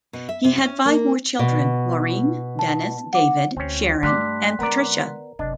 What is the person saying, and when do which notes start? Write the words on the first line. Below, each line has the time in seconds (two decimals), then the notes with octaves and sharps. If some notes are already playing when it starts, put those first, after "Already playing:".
He had five more children, Maureen, Dennis, David, Sharon and Patricia.
0.13 B2
0.29 E5
0.44 C3
0.58 C#4
0.86 A#3
1.39 B2
2.59 A5
3.13 F#5 D6
3.57 D2 C4 C#4
4.03 G2 A3 D5 C6 D6 F#6 B6
4.59 D3 G#3 B3 A#4 D5 A#5
5.39 F#1 C3 D4 D#5